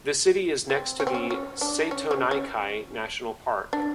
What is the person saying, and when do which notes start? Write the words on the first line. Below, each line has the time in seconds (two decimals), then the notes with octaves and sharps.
The city is next to the Setonaikai National Park.
0.70 C4
1.00 C#4
1.07 C4
1.14 C#4
1.30 C#4
1.61 D4
1.91 C#4
2.11 C#4
2.31 C#4
3.73 D4